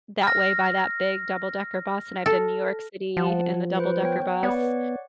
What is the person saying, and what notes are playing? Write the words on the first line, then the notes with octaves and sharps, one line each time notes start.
that way by that big double-decker bus, and I've done New York City in the double-decker bus.
F6 A#6
A4
F3 F#5 A5
B4 C5
B3 C#5 G5
B3 C#5 D5 F#5